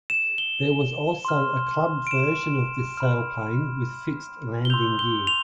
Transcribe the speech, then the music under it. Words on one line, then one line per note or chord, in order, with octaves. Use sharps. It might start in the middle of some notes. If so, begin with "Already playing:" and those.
There was also a club version of this sailplane with fixed landing gear.
E7
G7
C6 F6
D7
E7
B5 F6
G7
C6 E6 G6 F7
G7
F7